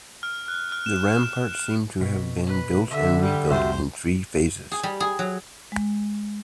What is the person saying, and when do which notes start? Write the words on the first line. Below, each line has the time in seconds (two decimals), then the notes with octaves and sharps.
The ramparts seem to have been built and rebuilt in three phases.
0.23 F6
0.48 F#6
0.72 F6
0.86 E7
1.23 F6
2.01 B2
2.47 B4
2.90 D3 E5
3.22 G3
3.51 C2 F2 F#4 G4 C5 E5
4.72 G#4
4.83 G3
5.00 G#4
5.19 F#3
5.72 G#3